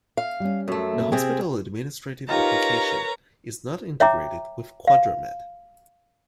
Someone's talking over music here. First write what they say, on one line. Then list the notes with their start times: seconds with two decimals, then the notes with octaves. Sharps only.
The hospital administrative application is not integrated with QuadraMed.
0.17 F5
0.40 G3 C#4
0.68 F#2 A3
0.93 A#3 C4
1.12 C3 C4 G#4 C5 G5
2.29 D#4 F4 G4 A#4 B4 C#5 A#5
4.00 C#5 E5 G5 A#5 D6
4.87 F5